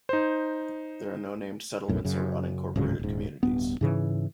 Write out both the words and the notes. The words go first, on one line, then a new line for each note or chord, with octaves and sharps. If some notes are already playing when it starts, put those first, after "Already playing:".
There are no named settlements or unincorporated communities.
D#4 C5
B1 F#2 A2
F#2 C#3
D1 G#2 C#3 F#3
D#1 G#2
D1 G2 B3
G#2 C#3 E3